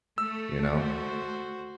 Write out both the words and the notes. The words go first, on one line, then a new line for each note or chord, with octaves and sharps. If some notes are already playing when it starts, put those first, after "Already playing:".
you know,
A3 E6
F#4 C5